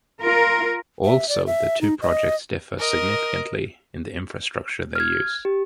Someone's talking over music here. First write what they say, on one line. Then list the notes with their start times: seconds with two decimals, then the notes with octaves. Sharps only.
Also, the two projects differ significantly in the infrastructure they use.
0.21 F4 A#4
1.05 E5
1.29 D5
1.47 E5
1.81 D#4
2.02 D#5
2.78 A#4 D#5
4.95 F6 G#6
5.45 G4